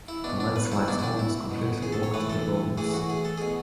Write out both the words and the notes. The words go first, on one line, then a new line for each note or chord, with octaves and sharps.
The landslides almost completely blocked the roads.
E4
B2 D4
D4
B4
E4
B2 D4
E4
D4
E4
B2
G#4
A4
C#5
A2 E3 B4
A4
A2 E3 G#4
F#4
G#4
A4
B2 G#4